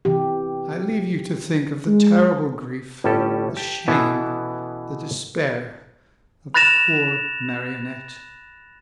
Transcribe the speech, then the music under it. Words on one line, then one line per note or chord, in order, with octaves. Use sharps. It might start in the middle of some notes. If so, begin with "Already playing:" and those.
I leave you to think of the terrible grief, the shame, the despair of the poor Marionette.
C3 E3 G4
G#3
G1 A2 G3 C#4 G4 A4
G4 A5
B2 E3 B3 C#4 E4 A4
B5 F#6 A6 A#6 E7 F7